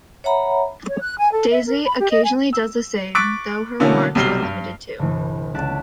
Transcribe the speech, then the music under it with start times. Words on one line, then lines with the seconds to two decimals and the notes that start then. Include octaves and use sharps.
Daisy occasionally does the same, though her remarks are limited to ?
0.24 C#5 E5 F#5 A#5 B5
0.88 C#5
1.00 F#6
1.18 G#5
1.31 A4
1.49 E5
1.64 A#4
1.83 B5
1.98 G4
2.10 D#5
2.23 G#5
2.53 E6
3.15 C#6 D6 F#6 A6 B6 D7
3.80 B2 D3 E3 A3 A#3 C#4
4.15 B1 C3 G3 F6 C7 G7
4.42 G2
4.99 G1 C2 E3
5.55 C#2 D5 A5 F#6 B6 E7